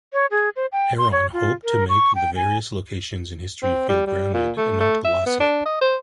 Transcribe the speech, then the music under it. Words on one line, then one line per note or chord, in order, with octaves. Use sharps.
Herron hoped to make the various locations in history feel grounded and not "glossy".
C#5
G#4
C5
G5
C6
C#5
F4
A#4
C#6
G5
G#5
C4
G3
G3
A#2
A3
A3
E5
B3
D4
D#5
C5